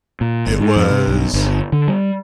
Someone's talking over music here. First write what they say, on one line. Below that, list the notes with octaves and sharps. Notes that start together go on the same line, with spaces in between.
It was
A#2
G1
G#2
F2
C3
B1
G1
D3
G3